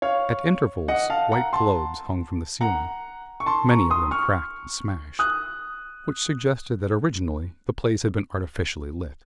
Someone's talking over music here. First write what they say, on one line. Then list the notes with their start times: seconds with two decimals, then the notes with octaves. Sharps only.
At intervals white globes hung from the ceiling--many of them cracked and smashed--which suggested that originally the place had been artificially lit.
0.02 C#5 F5
0.88 D#5 F#5
1.10 F5 A5
1.32 F#5 A#5
1.53 A5 C6
2.61 F#5 A#5
3.40 C#6
3.46 A5 C6
3.69 A#5 C#6
3.91 C6 D#6
4.11 C#6 F6
5.19 D#6 F#6